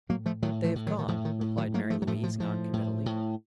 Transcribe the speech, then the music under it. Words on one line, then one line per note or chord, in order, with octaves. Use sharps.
"They have gone," replied Mary Louise, non-committally.
A2 F#3 A#3
F3 A3
A2 D#3 F#3
F3 A3
A2
D#3 F#3
D#3
A2 F3
D#3
A2
D#3 F#3
A2 F#3 A#3
F3 A3
F#3
A2 F3 A3
F3
A2 F3
A2
A2